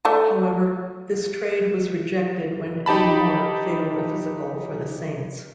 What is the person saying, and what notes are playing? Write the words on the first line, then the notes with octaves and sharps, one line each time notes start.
However, this trade was rejected when Eddie Moore failed a physical for the Saints.
A3 D5 A5
D#4 G4 A5 B5